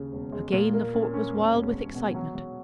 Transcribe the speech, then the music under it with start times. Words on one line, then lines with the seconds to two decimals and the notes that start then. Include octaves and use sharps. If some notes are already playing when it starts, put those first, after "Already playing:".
Again the fort was wild with excitement.
Already playing: D#2 C#3
0.13 E1
0.32 G#3
0.52 A#2
0.73 A#3
0.94 C#4
1.14 C#4
1.34 E1
1.55 E1
1.75 E1
1.95 B2
2.14 F#3
2.35 F#3